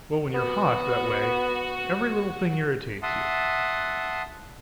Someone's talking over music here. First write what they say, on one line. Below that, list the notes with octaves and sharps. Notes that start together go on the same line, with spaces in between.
Well, when you are hot, that way, every little thing irritates you.
B3 F#4
E5 F#5 A5 C6 D#6